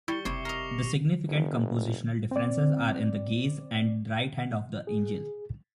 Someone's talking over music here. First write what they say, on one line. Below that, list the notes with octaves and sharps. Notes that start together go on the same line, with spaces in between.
The significant compositional differences are in the gaze and right hand of the angel.
G3 E4 C#6 C#7 G7
F#1 C3 E4 C#6 D6 C7
A#4 D#5 A#6 C7 F7
F#1
C4 D5
G#4